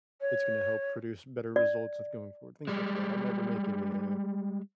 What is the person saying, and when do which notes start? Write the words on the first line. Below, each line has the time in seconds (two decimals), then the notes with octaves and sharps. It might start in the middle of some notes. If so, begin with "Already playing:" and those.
it's gonna help produce better results of going forward, things like that I never make it a, uh
0.21 C#5
1.56 D5
2.68 G3 G#3